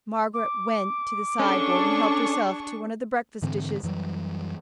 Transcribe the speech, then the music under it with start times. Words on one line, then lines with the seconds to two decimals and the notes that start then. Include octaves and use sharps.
Margaret went to the side-board and helped herself to one of the breakfast dishes.
0.34 D6
1.39 C#4 D4 G#4 A4 C#6
3.42 G#2 D3 E3 C4
3.83 F#2 E3 F#3 G3